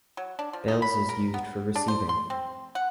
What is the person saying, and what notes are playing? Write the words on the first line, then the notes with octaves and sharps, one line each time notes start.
Bell's is used for receiving.
F#3
D4
F3
D#4
B5
A#4
B3
D4
C5
C6
C4
F#5